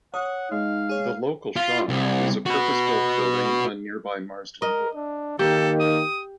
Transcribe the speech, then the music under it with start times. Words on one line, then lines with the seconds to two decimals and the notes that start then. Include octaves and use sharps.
The "Local Shop" is a purpose-built building on nearby Marsden Moor.
0.14 C#5 F#5 D#6
0.51 G#3 D#4 F5
0.89 G#4 C#5
1.56 F4
1.89 C2
2.46 F#4 B4
4.62 A#4 D#5
4.95 D4
5.39 D#3 A#3 G4 A4
5.80 D#6